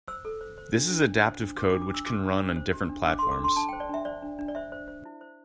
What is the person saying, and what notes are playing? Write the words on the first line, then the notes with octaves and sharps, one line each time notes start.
This is adaptive code which can run on different platforms.
C5 E6
A4
C5
C5
D4
D4
D4
C5
D4
G4 D6
D6
D4
D6
D4 E6
G4 D6
D4
D4
C5
G4
D4
D4 D6
C6
A4
D6
D4
C6
D4 A5
G5
C5
D5
D4 E5
C5 D5
D4
D4
D5
C5 E5
C5
C5
E4
C5